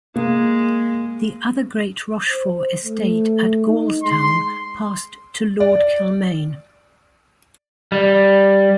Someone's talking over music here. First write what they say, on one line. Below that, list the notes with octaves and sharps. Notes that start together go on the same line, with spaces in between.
The other great Rochfort estate at Gaulstown passed to Lord Kilmaine.
G#3 A#3
C5
A3
D#4
G#3 C6
D5
G3